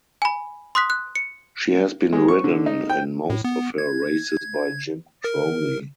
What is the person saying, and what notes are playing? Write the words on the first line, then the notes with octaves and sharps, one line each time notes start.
She has been ridden in most of her races by Jim Crowley.
G#5 B5
C6 D#6 F#6 B6
F#6
C#7
G#3
C#6
D3
D#4
G5
A2
B3
G#6
A#4